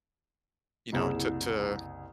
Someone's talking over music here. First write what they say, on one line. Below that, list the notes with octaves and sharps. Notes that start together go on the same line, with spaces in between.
you know to to
F#1 C2 E4 G#4 E7